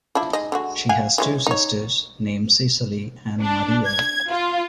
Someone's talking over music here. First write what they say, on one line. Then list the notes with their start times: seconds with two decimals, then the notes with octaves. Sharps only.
She has two sisters, named Cisely and Mariel.
0.15 F3 D4 E4
0.33 G#3 D#4 D#5
0.52 D3 G#3 F#4
0.89 F5 F#5 G#5
1.18 E3 G#3 C#4
1.46 D#4 C#5
3.41 D4
3.86 G#6
4.29 F4